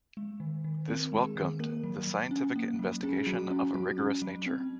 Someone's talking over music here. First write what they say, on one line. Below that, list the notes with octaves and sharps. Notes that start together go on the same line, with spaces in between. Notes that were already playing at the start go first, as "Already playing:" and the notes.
This welcomed the scientific investigation of a rigorous nature.
G#3
D#3
D#3
C4 A#4
G#3
G#4
D#3
A#3 A#4
F#3
F#3
C#4
A#3
F#3
C#4 G#4
F#3 F#4
C#4 F#4
F#3 F#4
C#4
F#3
C4